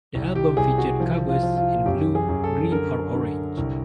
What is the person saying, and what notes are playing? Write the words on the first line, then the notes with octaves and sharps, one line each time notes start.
The album featured covers in blue, green, or orange.
C2
G4
C2 G#4
F#4
F3
F4
F3
F4
F#2 G4
G#4
F#2
A4
D3 A#4
D3
C2